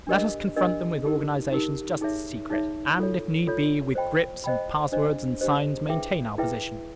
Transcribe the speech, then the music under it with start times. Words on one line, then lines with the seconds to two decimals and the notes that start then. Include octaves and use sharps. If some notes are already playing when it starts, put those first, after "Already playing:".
Let us confront them with organizations just as secret, and, if need be, with grips, and pass-words, and signs maintain our position.
0.07 D4 G4 A#4 D#5
0.56 D4 G4 A#4 D#5
1.05 D#4 G4 A#4
1.52 D#4 G4 A#4
2.01 D#4 G#4 C#5 E5
2.50 D#4 G#4 C#5 E5
2.98 F4 A4 C#5
3.47 F4 A4 C#5
3.95 C5 D#5 G5 B5
4.44 C5 D#5 G5 B5
4.92 D4 G4 C5 D#5
5.41 D4 G4 C5 D#5
5.89 E4 G#4 B4 E5 G5
6.38 E4 G#4 B4 E5 G5